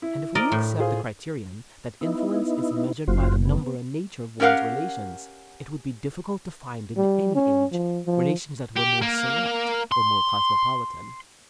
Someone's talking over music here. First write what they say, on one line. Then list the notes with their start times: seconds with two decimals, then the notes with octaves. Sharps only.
And, if we accept the criterion that influence is measured by the number and nature of one's relations, it would be difficult to find in any age relations that were more select or more cosmopolitan.
0.02 E4
0.35 A#4 D5 D#5
0.52 A2
0.80 F4 G#4 C5
2.01 B3 D#4 E4
3.08 F#1 F4 F#4 C5
3.45 B3
4.40 C#4 G4 A#4 F5 F#5
6.97 G3
7.35 C#4
7.72 F3
8.06 F3
8.77 G4
9.02 A#3
9.92 C6